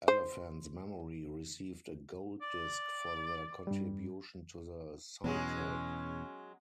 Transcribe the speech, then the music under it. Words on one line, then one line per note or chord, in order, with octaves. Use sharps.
Elephant's Memory received a gold disc for their contribution to the soundtrack.
C5
D5
G2 G3
E2 B2 F#3 G#3 B3 C#4 G#4